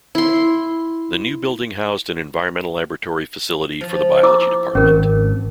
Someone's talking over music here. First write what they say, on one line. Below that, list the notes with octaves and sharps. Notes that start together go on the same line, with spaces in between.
The new building housed an environmental laboratory facility for the Biology Department.
E4 C6
F3
E4 D6 E6
G#1 C#4 A#4